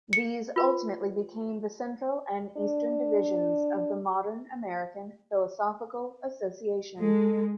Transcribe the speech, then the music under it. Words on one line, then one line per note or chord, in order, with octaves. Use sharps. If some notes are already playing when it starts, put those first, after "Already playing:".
These ultimately became the Central and Eastern Divisions of the modern American Philosophical Association.
C#7
F4 B4
D4
G#3 A4